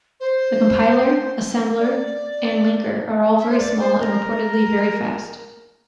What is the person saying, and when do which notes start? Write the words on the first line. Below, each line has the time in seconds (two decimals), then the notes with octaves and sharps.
The compiler, assembler and linker are all very small and reportedly very fast.
0.20 C5
1.80 D5
3.39 E5
3.50 C5
3.58 D5
3.79 C5
3.99 A#4